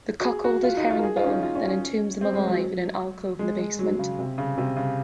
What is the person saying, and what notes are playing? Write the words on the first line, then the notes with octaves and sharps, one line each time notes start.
The cuckolded Herringbone then entombs them alive in an alcove in the basement.
F#4
G#4
F#4
F4
D#4
F4
A#4
G#4
F4
C#4
D#4
F4
C#4
C#4
C4
G#3
F#3
G#3
G#3
F#3
C#3
C3
C#3
C3
C#3